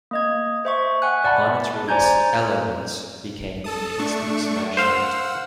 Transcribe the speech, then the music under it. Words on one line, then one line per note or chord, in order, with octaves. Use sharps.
Upon its release, "Elle'ments" became an instant smash hit.
A#3 D#5 G#6
C5 E5 C#6
F#5 G#5 F#6
D5 F#5 A5 B5
C5 D5 G#5 A#5 G6 G#6
A4 A5 D#6
A3 D4 C#6
C5 F5 F#5 E6